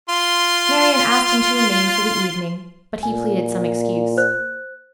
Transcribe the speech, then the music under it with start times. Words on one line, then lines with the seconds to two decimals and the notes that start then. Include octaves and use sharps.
Marian asked him to remain for the evening, but he pleaded some excuse.
0.09 F4 C6
3.03 A#2 G#5
4.17 C5 F#6